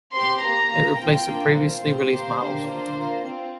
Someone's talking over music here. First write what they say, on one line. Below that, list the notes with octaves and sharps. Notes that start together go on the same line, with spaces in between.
It replaced the previously released models.
C4 G4 C6
A#3 G4 A#5
A#3 F4
C4 F4 G5
A#3 D4 F4
C4 F4 C5
C4 F4
A#3 G4 C5
A#3 D4 G4
A#3 D4 F4 C5
A#3 F4
C4 F4